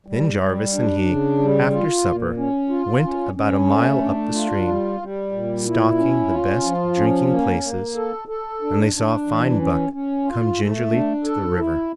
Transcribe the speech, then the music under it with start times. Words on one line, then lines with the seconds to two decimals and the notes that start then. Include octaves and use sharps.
Then Jarvis and he after supper went about a mile up the stream, stalking the best drinking places, and they saw a fine buck come gingerly to the river.
0.07 G3
0.40 G3
0.73 D4
1.06 C#3
1.38 G3
1.71 F4
2.04 A#2
2.37 C#4
2.69 F4
3.03 C#4
3.35 C#4
3.68 A3
4.01 D4
4.34 F4
4.67 G3
5.00 G3
5.32 A#2
5.65 E4
5.98 C#4
6.31 F4
6.63 F3
6.97 C#4
7.29 A#3
7.63 A#3
7.96 A4
8.28 A4
8.62 D4
8.95 D4
9.27 E3
9.60 C#4
9.93 C#4
10.25 F4
10.58 A3
10.92 D4
11.24 A4
11.56 E4